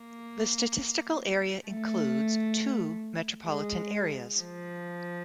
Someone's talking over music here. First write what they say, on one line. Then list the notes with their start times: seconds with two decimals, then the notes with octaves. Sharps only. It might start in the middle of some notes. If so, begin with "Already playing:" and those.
The statistical area includes two metropolitan areas.
Already playing: A#3
1.67 A3
3.46 G#3
4.37 F3